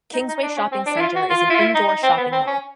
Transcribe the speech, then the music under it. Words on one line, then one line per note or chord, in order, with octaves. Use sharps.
Kingsway Shopping Centre is an indoor shopping mall.
D#4
D#4
D4
C#4
C4
D4
E4
F4
F#4
F4
F4
E4
F4
E4
D#4
D#4
C4
B3
C4
C#4